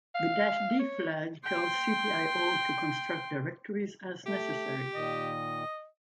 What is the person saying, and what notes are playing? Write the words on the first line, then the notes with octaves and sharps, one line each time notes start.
The "-d" flag tells cpio to construct directories as necessary.
F5
C#5
G5 C6
A3 G4
A#2 D#3 D#5